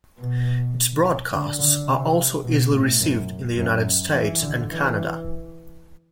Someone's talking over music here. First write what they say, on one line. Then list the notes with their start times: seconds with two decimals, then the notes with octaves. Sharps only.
Its broadcasts are also easily received in the United States and Canada.
0.18 B2
1.31 D3
1.59 D3
1.87 C3
2.44 B2
2.73 A2
3.00 F#2
3.57 F#2
4.14 E3
4.42 D3
4.70 E3